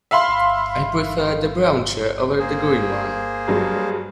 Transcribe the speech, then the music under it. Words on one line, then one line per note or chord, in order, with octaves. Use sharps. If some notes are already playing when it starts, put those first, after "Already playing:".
I prefer the brown chair over the green one.
E5 F5 B5 C6
A#3 G#4 C5
G2 F#3 G#3